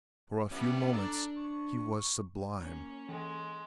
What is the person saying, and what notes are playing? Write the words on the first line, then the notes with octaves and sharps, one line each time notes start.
For a few moments he was sublime.
G3 B3 C#4 E4 G4
D4 A4 D5 A#5
C#6
A#3 C#4
E3 G#3